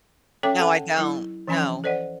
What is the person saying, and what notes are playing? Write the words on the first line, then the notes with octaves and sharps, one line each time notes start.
No, I don't, no,
C#4 A4 C#5 E5 G5 D6
C4 A4 F#5 A5
F#3 E4
E3 F3 C#4 G#5 B5 C6
A4 C5 D5 D#5 F#5